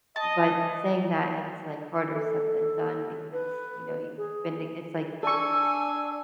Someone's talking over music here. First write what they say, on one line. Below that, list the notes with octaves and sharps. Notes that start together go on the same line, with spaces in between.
but saying that, it's, like, harder said than done because, you know, you've been to it's like
D#5 A5
A4
B4
G#4
D4 A4 G#5 C#6 E6